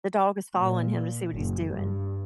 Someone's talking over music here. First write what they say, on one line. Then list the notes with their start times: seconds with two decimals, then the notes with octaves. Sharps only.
the dog is following him to see what he's doing.
0.56 A#2
1.35 F#1
1.71 G2